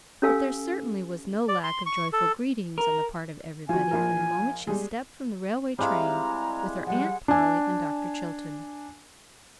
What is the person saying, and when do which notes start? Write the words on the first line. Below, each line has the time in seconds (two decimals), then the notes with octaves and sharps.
But there certainly was no lack of joyful greetings on the part of everybody from the moment she stepped from the railway train with her Aunt Polly and Dr. Chilton.
0.22 C#4 G4 A4 F5 G#5 E6
1.48 D5
1.63 C6
1.86 C#6
2.13 A4
2.78 A#4
3.69 F3 F#4 G#5
3.91 A#1 F3 A#4
4.67 G3 G#3
5.78 G3 G#3 C4 E4 F5 A#5
6.86 F3 G3 F#5
7.28 D4 G#5